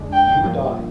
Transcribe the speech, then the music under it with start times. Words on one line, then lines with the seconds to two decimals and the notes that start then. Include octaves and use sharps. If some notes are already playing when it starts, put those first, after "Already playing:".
You and I.
Already playing: F2 D3 G#3 D4
0.13 G5
0.42 G2 F3 A#3